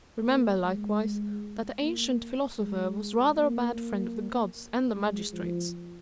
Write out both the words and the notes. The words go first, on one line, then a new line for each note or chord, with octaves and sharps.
"Remember, likewise, that the ancient philosopher was rather a bad friend of the gods and the magistrates."
A#3
G#3
A#3
G#3
A#3
G#3
F3